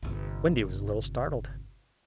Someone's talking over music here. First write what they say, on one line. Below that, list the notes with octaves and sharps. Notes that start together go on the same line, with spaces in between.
Wendy was a little startled.
G1 C3